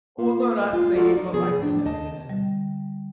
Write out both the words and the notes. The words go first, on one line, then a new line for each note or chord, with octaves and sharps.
Well, no, not singing, but, like, you know, even in
A#2
G#3 F4
D#4 F4 F#4 A4 D5
D#4 D5
C3 F3 B3 G#4
A2 F3 D4
D#2 D#5 A5
D3 G3